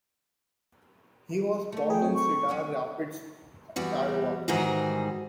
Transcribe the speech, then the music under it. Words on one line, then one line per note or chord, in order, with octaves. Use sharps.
He was born in Cedar Rapids, Iowa.
A3 C#4
G#4 G5
C4 C#5
C#6
E2 F#3 C#4
E2 G3 F#4
G#2 D#3 E3 G3 F#4 G#4